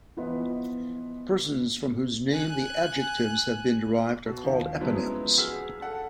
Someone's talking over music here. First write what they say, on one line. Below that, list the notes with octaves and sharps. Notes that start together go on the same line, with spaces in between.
Persons from whose name the adjectives have been derived are called eponyms.
E3 F3 B3 F4 B4 D#5
G#5 F#6
B2
D#2 F3
F3 F#3 G#3 B3 C#4 E4
F#4 G#4 E6 F6 B6
A4 F#5 A5